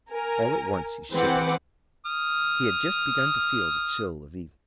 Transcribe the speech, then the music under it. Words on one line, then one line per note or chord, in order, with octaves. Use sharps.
All at once he shivered; he had just begun to feel the chill of evening.
A#4 G#5
E3 C4 G#4 B4 F#5 D6
D#6 F6